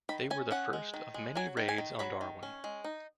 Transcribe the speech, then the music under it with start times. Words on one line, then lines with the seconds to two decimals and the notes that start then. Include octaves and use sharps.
They were the first of many raids on Darwin.
0.09 D#3 B5
0.30 C#4 G#5
0.51 C#4 F#5
0.73 G#3
0.94 D#3
1.14 G#3
1.35 F#3 G#5
1.57 D#3
1.68 G#5
1.78 D#3
1.99 F#3 B5
2.21 D#3
2.43 C#4
2.64 G#3
2.84 D#4